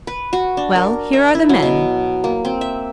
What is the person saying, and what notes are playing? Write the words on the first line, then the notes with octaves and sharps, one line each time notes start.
"Well, here are the men."
B4
F#4
D4
A#4
E5
E4
F#3
B2
A#3
C4
E5